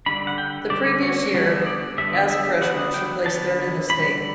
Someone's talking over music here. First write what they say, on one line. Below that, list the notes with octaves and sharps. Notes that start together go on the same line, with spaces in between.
The previous year as a freshman she placed third in the state.
D3 G3 D4 B5
F#5
G5
D3 G3 D4 D5
F#4
D3 G3 B3 D4 F#4
D5
D3 G3 B3 D4 E5
E5
D3 F#3 B3 D4 F#5
G5
D3 F#3 B3 D4 A5
D3 G3 D4 B5